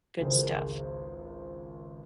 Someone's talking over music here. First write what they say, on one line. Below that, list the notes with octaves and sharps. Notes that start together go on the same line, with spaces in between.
Good stuff.
G#1 C#2 G#4 A#4 C5